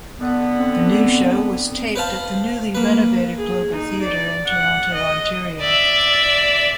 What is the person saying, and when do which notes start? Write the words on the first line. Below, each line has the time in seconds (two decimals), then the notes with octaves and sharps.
The new show was taped at the newly renovated Global Theatre in Toronto, Ontario.
0.20 D3 B3
0.59 C4
1.96 B4 C5 F5 A5
2.75 A#3 B4
3.38 G#4
3.72 D#4
4.03 D5
4.47 F#5
4.95 D#5
5.60 D5 E5